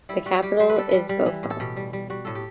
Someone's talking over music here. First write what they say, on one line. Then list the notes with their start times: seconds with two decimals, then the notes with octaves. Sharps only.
The capital is Boffa.
0.09 G3 E4
0.26 G3 F#4
0.42 G3 G4
0.60 G3 C5
0.69 B4
0.76 G3 A4
0.89 G3 B4
1.09 G3
1.26 E3
1.43 A2
1.50 A4
1.60 B2 G4
1.76 G3
1.93 G3
2.10 G3 F#4
2.25 A2 A4
2.35 G4